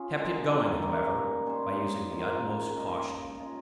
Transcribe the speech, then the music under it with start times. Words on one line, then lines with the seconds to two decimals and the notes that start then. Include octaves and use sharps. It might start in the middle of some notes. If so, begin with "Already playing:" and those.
We kept it going, however, by using the utmost caution.
Already playing: C#4 F4 G#4
0.17 D#3 G#3 D#4
0.82 D#3 G3 A#3 D#4
1.46 G3 C#4 G4 C5
2.11 D#3 A#3 F4
2.74 C#3 G#3 D#4 G4
3.39 G#3 C#4 F4